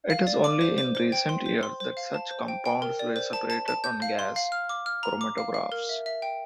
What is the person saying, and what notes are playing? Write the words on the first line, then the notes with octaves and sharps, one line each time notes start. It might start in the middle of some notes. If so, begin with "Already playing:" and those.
It is only in recent years that such compounds were separated on gas chromatographs.
F5
D5
D6
C5
C5
C5
G5
C6
C5
C6
C5
F5
A5
C5
G5
G5
A#4
D5
C5
A5
A5
A5
G6
F5
C6
F5
F6
D6
F6
A#5
D6
F5
F5
A#4
E5
E5
G5